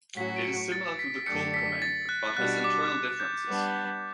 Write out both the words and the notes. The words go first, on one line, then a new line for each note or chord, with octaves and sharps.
It is similar to the Colt Commander, but has internal differences.
A2 F#3 C#4 F#4 B6
D7
C#7
A6
B6
F#2 D3 A3 D4 G4 C#7
B6
A6
F#6
B2 G3 D4 F#4 F#6
D6
D6
G6
G3 B3 D4